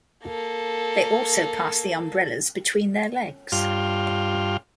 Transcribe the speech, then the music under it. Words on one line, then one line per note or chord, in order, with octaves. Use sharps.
They also pass the umbrellas between their legs.
A#3 A4
G2 F4